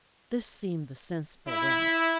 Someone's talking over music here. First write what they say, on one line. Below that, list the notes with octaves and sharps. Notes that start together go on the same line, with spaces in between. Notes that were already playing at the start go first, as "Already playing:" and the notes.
This seemed the sensible way.
E4